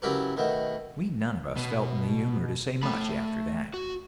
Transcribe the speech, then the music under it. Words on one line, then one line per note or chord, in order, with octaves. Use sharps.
We none of us felt in the humour to say much after that.
C#3 F#3 E4 G4 A#4 B4
B2 D#3 A3 B3
B2
A3 B5
F#4